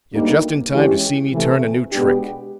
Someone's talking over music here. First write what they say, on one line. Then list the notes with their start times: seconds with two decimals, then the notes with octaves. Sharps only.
You're just in time to see me turn a new trick.
0.12 D2 D3 G3 A#3 D#4
0.72 E3 G#3 C#4 E4 G4
1.32 C3 E3 A3
1.91 B2 G#3 B3 D4 G4